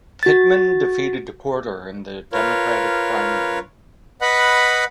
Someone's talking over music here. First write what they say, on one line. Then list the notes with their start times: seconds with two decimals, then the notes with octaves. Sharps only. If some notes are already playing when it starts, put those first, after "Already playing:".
Pittman defeated Porter in the Democratic primary.
0.23 F#4 A6
2.33 F4 A#4 B4 C#5
4.21 B4 D#5 F#5 B5 F#6